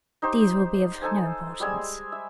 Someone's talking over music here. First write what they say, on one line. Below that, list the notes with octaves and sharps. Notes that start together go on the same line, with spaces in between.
These will be of no importance.
D#4 G4 C5
D#4 A4 C5 G#5
G3 G#3 G#5 E6
E5